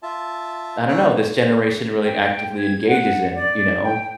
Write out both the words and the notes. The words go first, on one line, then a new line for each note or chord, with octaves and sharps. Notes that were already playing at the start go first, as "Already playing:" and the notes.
I don't know, this generation really actively engages in, you know?
F4 E5 A5
A#3 G#4 C#5 A#5 E6 F#6
G5
G#6
F#5
D5
G5